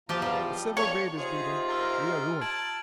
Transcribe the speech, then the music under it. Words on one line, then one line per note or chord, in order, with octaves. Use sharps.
If Silver Braid is beaten we are ruined.
E2 F3 F4 G4 A5 A#5
F3 G3
D#5
A#3 D4 C#5 C#6
C3 D#4 F4 G#4 C5
A#4 E6 F6 A6
A5 G#6 D7 F#7